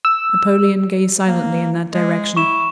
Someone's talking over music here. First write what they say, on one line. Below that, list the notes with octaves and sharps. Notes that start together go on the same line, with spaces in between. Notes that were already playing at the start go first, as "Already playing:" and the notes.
Napoleon gazed silently in that direction.
E6
A#3
G#3
E4 C#6 E7